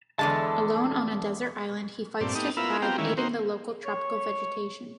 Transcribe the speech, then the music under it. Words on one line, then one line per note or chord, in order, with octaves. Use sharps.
Alone on a desert island, he fights to survive, eating the local, tropical vegetation.
E2 D3 G#3 A5
G2 A#2 A3 C4 D5
A3 B3 D#4 G4 D#6
B3 E4 F4 A#4 B5 E6
B3 C4 F4 G4 G5 A#5
D#3 E3 G#3 A#3 C#4 E4
C4 D#4 F#4 A#4 C5
C#5